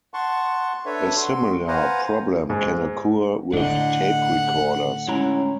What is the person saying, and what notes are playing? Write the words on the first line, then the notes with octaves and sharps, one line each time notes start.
A similar problem can occur with tape recorders.
F#5 A5 C6 C#6
D4 A4 B4 C#5 E5
F#4 C6
B4 C5 F5 F#5 G#5 A#5
G#2
A2 D3 D4 D#5 F#5
G#3 C#4 E4 A#5